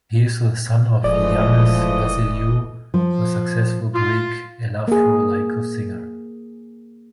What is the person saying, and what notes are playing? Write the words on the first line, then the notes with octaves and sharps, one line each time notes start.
He is the son of Yiannis Vasileiou, a successful Greek elafro-laiko singer.
F1 E3 F3 G#3 A3 D5 D#5
F3
F4
A#3 G#4